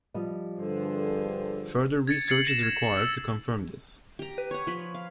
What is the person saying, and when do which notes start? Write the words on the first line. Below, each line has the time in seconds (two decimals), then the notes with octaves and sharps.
Further research is required to confirm this.
0.14 F3 G3 D#5
0.58 G2 D3 G#4 C5
2.07 G#6 A6 C#7
2.28 G#6 A6 C7 C#7 F#7
2.47 A#6 E7
2.63 G#6
2.97 E6 C#7
4.19 G4 A#5
4.38 B4
4.51 C#5 F#5
4.67 F3 B5
4.95 F5